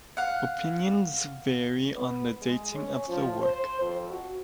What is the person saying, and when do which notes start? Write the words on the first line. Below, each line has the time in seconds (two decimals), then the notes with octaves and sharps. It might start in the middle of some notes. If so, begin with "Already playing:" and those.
Opinions vary on the dating of the work.
0.17 F5 F#5
1.97 B3
2.42 G#3
2.75 C#4
3.08 F3
3.41 C5
3.81 F2
4.10 F#4